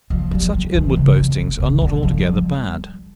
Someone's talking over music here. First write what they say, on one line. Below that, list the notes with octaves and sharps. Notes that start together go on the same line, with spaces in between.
But such inward boastings are not altogether bad.
F3
G3
G3
E3
C#3
D3
D3
C#3
D3
F3
G3